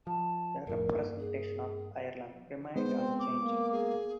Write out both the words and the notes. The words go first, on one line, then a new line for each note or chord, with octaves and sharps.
The representation of Ireland remained unchanged.
F3 A5
E1 F2 A2 A#4
G2 A#3
G#4
G#3 B3 C5
C4
D6
A#3
G#4